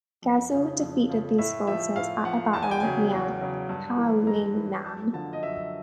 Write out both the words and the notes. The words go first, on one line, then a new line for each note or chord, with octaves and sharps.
Ghezo defeated these forces at a battle near Paouingnan.
F2
C#3 F3
F2
C#3 F3
A2 E5
F3 E5
A2 F5
F3 F#5
E2 A5
G#5
G5
C#3 F#3 G#5
E2
C#3 F#3
G2
E3
G2 A#5
E3
F#2 A5
D3 F3 A5
D#5
F#2 E5